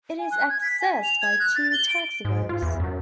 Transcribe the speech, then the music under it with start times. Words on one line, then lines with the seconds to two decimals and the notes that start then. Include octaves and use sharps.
It is accessed by two taxiways.
0.19 G#5
0.32 F#6
0.50 G#6
0.62 B6
0.81 G#5
1.03 F7
1.22 G#6
1.40 F#6
1.55 A6
1.73 G7
1.89 D7
2.25 G#2
2.49 F4
2.62 E2
2.80 F#2